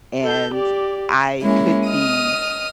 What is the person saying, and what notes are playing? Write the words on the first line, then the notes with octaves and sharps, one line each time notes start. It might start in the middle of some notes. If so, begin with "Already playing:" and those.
and I could be,
A4 G6
G4 D5
G#3 A#3 C#4 E4
D#5 D#6 F6